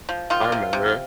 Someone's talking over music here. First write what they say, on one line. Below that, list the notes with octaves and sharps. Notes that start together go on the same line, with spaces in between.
I remember.
F3
D#3 F4
C3
C3